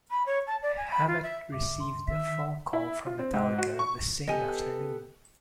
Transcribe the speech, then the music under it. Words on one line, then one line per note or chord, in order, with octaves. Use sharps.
Hammett received a phone call from Metallica the same afternoon.
B5
C#5
A5
D5
G#5
B5
F4
E5
D2 G2 C#3 E5 D6
C6
D#3 E5 B6
E4
F4
C4
G#2
F#4
C#6
B3 G4 A4 D#5 G#5